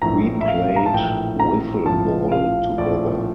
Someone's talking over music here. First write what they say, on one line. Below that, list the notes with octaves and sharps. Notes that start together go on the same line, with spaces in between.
We played Wiffle ball together.
A#1 A2 E3 A#5
E5
F5
A#5
A5
A#1 A2 E3 G5
A#5
A#1 A2 F3 A5
F5
A#1 A2 F3 D5